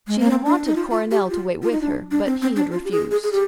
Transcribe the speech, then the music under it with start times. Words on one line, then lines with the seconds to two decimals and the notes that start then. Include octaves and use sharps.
She had wanted Coronel to wait with her, but he had refused.
0.07 G#3
0.19 A#3
0.31 C4
0.45 D4
0.65 D#4
0.76 F4
0.91 F4
1.11 G4
1.30 F4
1.63 F4
1.72 D#4
1.81 D4
2.11 D4
2.26 C4
2.42 C4
2.56 D4
2.72 F4
2.85 G4
2.91 G#4
3.11 G#4
3.23 G#4
3.32 G4